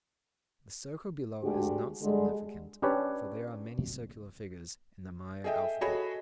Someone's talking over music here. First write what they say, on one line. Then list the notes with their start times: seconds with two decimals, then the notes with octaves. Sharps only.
The circle below is not significant, for there are many circular figures in the Maya alphabet.
1.43 D2 G#3 D4 F#4 G4
2.02 D3 G3 G#3
2.82 C#4 D4 G4 B4 C#5 D5
5.44 G#4 A4 D#5 E5 G5
5.81 F#4 G#4 A4 C#5 D#5 B5